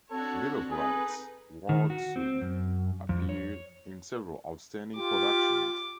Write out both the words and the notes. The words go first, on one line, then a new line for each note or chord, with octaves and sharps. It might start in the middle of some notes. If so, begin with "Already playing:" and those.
Bill of Rights, Ward soon appeared in several outstanding productions.
C4 D4 F#4 A4 C#5
D#4 G#4 A4 B4
D#3
F#4
C4
F#2
F2
C#5
F4 G4 D6